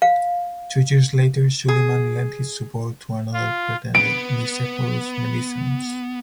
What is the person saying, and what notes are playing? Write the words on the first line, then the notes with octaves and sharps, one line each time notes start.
Two years later, Suleyman lent his support to another pretender, Nicephorus Melissenus.
F5
G#4
F4
B3 D7